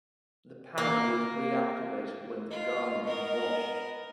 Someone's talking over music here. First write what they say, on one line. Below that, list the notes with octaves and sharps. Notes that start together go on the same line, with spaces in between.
The panel is reactivated when the garment is washed.
A#3
F4 D#5
B3 A#4